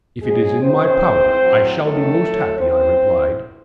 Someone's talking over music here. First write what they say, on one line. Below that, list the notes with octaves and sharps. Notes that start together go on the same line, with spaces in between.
"If it is in my power, I shall be most happy," I replied.
G#2 F#3 G#3 G#4
F#2 C#3 E3 C4 C5
G#2 E3
A2 F#3
E2 D#3 F#3 A3 A4
A2 F#3
F#2 E3 C4 C5
A2 E3